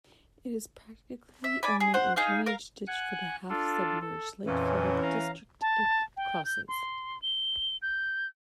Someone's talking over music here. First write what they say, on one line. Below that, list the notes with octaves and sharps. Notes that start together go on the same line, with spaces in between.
It is practically only a drainage ditch for the half-submerged, lake-flooded district it crosses.
E5
D5 G#5 B5
G#4
C5 F#5
D#4 G#4 F5
A#4 F5
F#5 G#5 F#6
D4 F4 A4
A4
F2 A#2 E3 C#4
F5 A#5
A5
G5
G6
C6
G7
G6